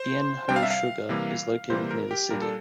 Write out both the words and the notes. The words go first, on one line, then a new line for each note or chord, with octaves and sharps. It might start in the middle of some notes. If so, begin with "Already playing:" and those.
Bien Hoa Sugar is located near the city.
Already playing: C5
C3 G3 D4 G5
F5
E5
F5
C3 E3 G3 A#3
C3 E3 G3 A#3 C5
A#4
G4
A#2 G3 D4 A#4
A4